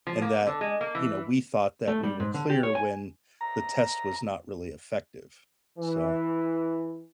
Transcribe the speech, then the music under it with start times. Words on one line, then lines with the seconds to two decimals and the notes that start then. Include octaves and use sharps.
and that, you know, we thought that we were clear when the test was not really effective, so
0.07 F3
0.22 A#3
0.47 D3
0.61 G#3
0.81 A#3
0.95 E3
1.88 A3
2.03 G3
2.20 G#2
2.34 D3
2.50 G4
2.63 C#5
2.75 G#5
3.41 A#5
5.79 E3